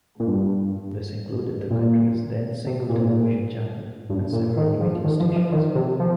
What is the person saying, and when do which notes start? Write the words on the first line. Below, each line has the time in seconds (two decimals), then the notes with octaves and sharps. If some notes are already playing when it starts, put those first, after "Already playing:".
This included the country's then-single television channel and several radio stations.
0.20 A#2
0.28 G2
1.70 A#2
2.66 C3
2.89 A#2
4.09 G2
4.32 A#2
4.57 D#3
4.80 F3
5.04 D#3
5.20 F3
5.36 F3
5.52 D#3
5.75 C3
5.99 F3